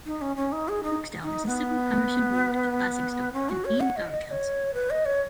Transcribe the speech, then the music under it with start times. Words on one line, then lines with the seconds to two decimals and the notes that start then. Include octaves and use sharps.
Rooksdown is a civil parish and ward of Basingstoke and Deane borough council.
0.06 D#4
0.21 C#4
0.36 C#4
0.52 D#4
0.68 G#4
0.83 D#4
1.23 D#4
1.47 B3
3.33 C#4
3.50 F#4
3.65 C#5
3.80 F#5
3.97 D#5
4.12 D#5
4.27 D#5
4.31 C#5
4.74 B4
4.90 D#5
5.05 C#5